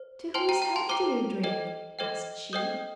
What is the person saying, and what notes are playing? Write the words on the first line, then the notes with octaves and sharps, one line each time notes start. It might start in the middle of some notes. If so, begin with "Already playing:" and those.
'To whose health do you drink?' asked she.
Already playing: C5
C5 G5 A5 C6
G5 A#5
G5 A#5
A5 C6
C5 G5 A#5 D6
A4 C5 D#5 G5
A4 C5 D#5 G5
A4 C5 D#5 G5 D#6 G6